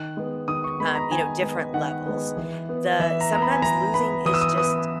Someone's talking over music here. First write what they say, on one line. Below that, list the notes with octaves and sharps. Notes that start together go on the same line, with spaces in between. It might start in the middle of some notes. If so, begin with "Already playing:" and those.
uh, you know, different levels. The sometimes losing is just
Already playing: D#3 F#6
G#3 B3
D#3 D#6
C#6
G#3 B3 B5
A#5
D#3 G#5
G#3 B3
D#3 F#5
G#3 B3
E3
B3
E3 E5
A#5
B3 A#5
B5
G#5
E3 A#5
B3 B5
E3 D#6
E6
D#6
B3 D#6